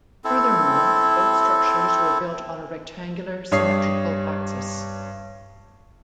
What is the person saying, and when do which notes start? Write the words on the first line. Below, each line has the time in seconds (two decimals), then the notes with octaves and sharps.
Furthermore, both structures were built on a rectangular, symmetrical axis.
0.24 C4 E4 A4
3.51 G2 G3 C#5 D#6 C7